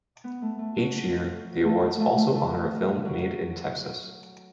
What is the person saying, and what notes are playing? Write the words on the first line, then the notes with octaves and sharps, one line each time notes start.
Each year, the Awards also honor a film made in Texas.
B3
A3
A3
F#3
A3
F#3
A3
A3
A3
F#3